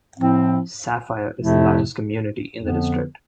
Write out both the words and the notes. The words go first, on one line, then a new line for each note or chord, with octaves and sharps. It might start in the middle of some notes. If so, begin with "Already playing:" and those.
Sapphire is the largest community in the district.
A2 F3 C4 E4
F2 C3 F3 A3 E4
F2 D3 F3 B3